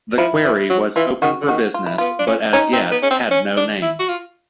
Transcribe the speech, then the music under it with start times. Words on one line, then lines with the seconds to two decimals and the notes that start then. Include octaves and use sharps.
The quarry was open for business, but as yet, had no name.
0.18 F3 E4
0.44 E3
0.70 F#3
0.96 E3 F4
1.22 D#3 F#4
1.41 D3
1.49 D#3 F#4
1.74 F4
1.86 E4
1.98 B3 F4
2.19 D4
2.27 C#4
2.53 C#4 D#4
2.73 C4
2.91 B3
3.03 C#4
3.11 C4
3.31 C#4
3.57 D4
3.82 E4
3.99 F#4
4.09 F4